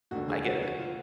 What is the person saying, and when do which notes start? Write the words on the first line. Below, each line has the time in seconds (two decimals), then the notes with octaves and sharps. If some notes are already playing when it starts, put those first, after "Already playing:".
I get it.
0.11 F1 D#2 D3 F#4
0.28 G#4
0.45 F#4
0.62 F#4
0.79 F4